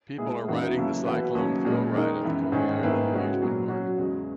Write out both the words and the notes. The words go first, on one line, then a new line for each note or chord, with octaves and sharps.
People are riding the Cyclone thrill ride at the Coney Island amusement park.
A#2 G#3 B3 E4 G#4
F#2 E3 B3 D#4 F#4
D#2 C#3 F#3 B3 E4
E3 B3 F#4 B4
D#2 C#3 F#3 C#4
A#2 G#3 C#4
D#3 G#3 D#4 A#4
F#2 E3 B3
G#2 D#3 G#3 C#4
G#2 D#3 A#3 E4 B4
C#3 G#3 C#4 F#4
A#2 F#3 B3
F#3 C#4 F#4
E2 C#3 G#3